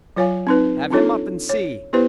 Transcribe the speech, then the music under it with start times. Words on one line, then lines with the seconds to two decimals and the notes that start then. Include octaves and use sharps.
"Have him up and see...."
0.16 F#3 F4 C#5 F5 G#5
0.47 C4 D#4 B4
0.90 C4 D4 D#4 F4 A4 C#5
1.49 C#5
1.93 B3 E4 G4 B4 C5